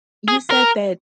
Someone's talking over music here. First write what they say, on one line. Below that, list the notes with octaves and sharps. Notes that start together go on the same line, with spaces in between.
You said that
G#4
A#4